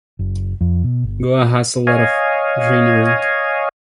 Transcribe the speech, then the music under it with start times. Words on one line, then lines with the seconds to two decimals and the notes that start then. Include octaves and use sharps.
Goa has a lot of greenery.
0.19 F#1
0.61 F2
0.84 B2
1.03 G1
1.87 C#5 D#5 F5 G#5